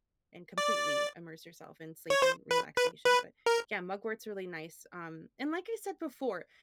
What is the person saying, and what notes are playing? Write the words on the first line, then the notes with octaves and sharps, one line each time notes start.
and completely immerse yourself in sleep and relaxation but, yeah, mugwort's really nice, um. And like I said before
D5
C#5
C5
B4
B4
B4
A#4